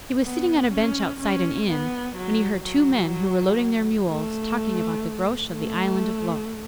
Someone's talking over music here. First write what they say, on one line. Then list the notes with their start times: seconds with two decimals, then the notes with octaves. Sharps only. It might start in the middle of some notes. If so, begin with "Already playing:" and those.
He was sitting on a bench outside an inn, when he heard two men who were loading their mules talking about the Groac'h of the island of Lok.
0.24 B3
0.73 C#4
1.20 C#4
1.69 B3
2.16 F#3
2.65 F#3
4.09 A3
5.53 A3